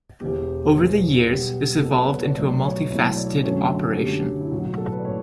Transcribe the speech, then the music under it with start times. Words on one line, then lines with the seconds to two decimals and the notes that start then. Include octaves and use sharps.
Over the years, this evolved into a multi-faceted operation.
0.21 E1 E2 B2 G4
0.76 E1 E2 B2
1.29 B1 B2 G3 B3
1.82 B1 B2 G3 B3 A4
1.96 B4
2.10 C#5
2.24 D5
2.37 B1 B2 F#3 A3 D5
2.64 C#5
2.90 B1 B2 F#3 A3 E4
3.17 D5
3.44 F#2 D3 F#3 A3 C#5
3.97 F#2 D3 F#3 A3 G4
4.41 E4
4.51 B1 A2 F#3 F#4
4.65 F#4
4.78 A4
4.92 B4
4.99 D5
5.05 A2 C#5